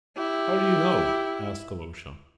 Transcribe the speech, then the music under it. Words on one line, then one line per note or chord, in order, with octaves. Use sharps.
"How do you know?" asked Alyosha.
E4 G4